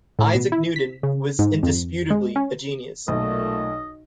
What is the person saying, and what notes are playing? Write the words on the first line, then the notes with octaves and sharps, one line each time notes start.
Isaac Newton was indisputably a genius.
A2
B2
E4
B6
C#3
G#2
F2
G#3
C#4
B1 A#2 A3 D#5